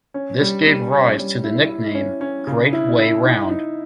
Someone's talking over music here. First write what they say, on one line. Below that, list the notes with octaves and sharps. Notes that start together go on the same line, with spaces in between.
This gave rise to the nickname 'Great Way Round'.
C#4
G3
G3
C#4
G3
E4
E4
C#4
C#4
C#3
E4
E4
D#4
D#4